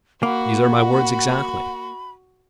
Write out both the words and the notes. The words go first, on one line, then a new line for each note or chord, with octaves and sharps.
"These are my words exactly."
A#3 F#4 F#5 B5